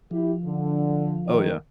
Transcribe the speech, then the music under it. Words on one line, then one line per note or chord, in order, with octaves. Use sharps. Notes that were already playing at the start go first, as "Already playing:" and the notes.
Oh, yeah.
F3 E4 G4
D3
D#3